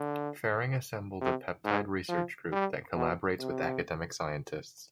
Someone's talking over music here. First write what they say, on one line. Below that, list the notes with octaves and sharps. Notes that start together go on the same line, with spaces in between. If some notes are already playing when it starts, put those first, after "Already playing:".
Ferring assembled a peptide research group that collaborates with academic scientists.
Already playing: D3
C3
G#2
F3
G3
B2
C3